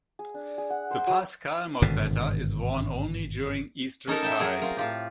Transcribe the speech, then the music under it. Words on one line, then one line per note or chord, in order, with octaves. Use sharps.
The Paschal mozzetta is worn only during Eastertide.
G#4
D4
G#4
F#5
C5
F#3
G#1 G2 B2 D3
C#4 D#4 A4 A#4
E5 G5 A5
F#3 G#4 A#4
C4 F4 A#4
A2 F4 G4